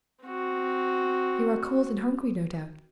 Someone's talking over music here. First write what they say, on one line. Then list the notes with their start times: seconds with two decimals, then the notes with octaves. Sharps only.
You are cold and hungry, no doubt.
0.24 C4 F#4